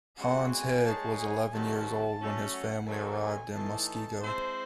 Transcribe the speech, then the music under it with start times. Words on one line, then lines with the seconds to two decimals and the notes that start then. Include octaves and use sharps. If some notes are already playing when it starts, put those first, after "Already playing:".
Hans Heg was eleven years old when his family arrived in Muskego.
0.18 C#3 G#3 C4 F#4 F#5
0.53 G#5
0.86 G#3 D#4 G#4 C#5 A5
1.20 G#5
1.53 C3 D#3 F#3 A3 C#4 A5
2.20 F#3 A3 C#4
2.54 F#5
2.86 D#3 F#3 A3 C4 D#4 A5
3.20 G#5
3.54 A2 E3 A3 D#4 A4 A5
4.21 G#3 C4 E4 C5